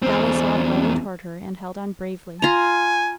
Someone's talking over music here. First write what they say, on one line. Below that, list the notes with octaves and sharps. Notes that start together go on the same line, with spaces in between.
Dolly saw it rowing toward her, and held on bravely.
E2 C4
F4 G#5 A#5